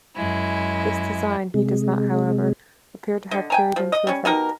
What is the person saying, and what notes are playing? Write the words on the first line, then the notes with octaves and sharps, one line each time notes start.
This design he does not, however, appear to have carried into effect.
F#2 G#3 E4
C3 G#3
D3 D#5
G5 G#5 A#5
F3
D#5
G3 C#4
B2 D#4 G4 A#4